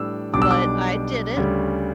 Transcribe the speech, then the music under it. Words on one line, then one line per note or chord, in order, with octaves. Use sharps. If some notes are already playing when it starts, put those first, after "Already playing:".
but I did it.
Already playing: A2 E3 G3 D4 E6
B1 B2 G3 D4 D6
E6
D6
D2 C#3 G3 C#4